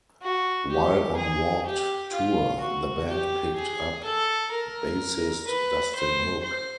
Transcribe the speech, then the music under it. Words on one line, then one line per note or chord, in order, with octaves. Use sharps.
While on Warped Tour, the band picked up bassist Dustin Hook.
F#4
G4
G#4
G4
F4
F#4
G4
G#4
A4
A#4
B4
C5
C5